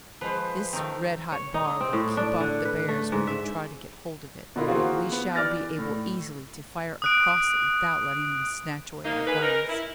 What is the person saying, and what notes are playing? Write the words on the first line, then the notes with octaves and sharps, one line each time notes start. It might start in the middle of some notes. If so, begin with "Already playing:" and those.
"This red-hot bar will keep off the bears when they try to get hold of it, and we shall be able easily to fire across it without letting them snatch away our guns."
F3 G#3 B4 C5
D#3 A3 C4 D#4
C#5
D#4
C4
A2
D4
D3
B4
A3
G#2
E5
B2 D3 E4 F4 A#4
E3 A#3 C4 F4 F#4 G#4
B3
E3 D5 F6 A6 A#6
A2
D#6 F#6 D7
A#3 D#4
G#4 A#4 B4
C#4 D#4 A#4
E4